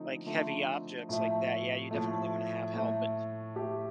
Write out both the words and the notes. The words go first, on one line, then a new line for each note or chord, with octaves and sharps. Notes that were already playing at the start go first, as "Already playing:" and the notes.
like, heavy objects like that, yeah, you definitely wanna have help. But,
Already playing: D3 F3 A3 C4 D#4
D3 F3 A3
A2 F3 A3
A2 F3 A3
A2 A3
A2 A3 G4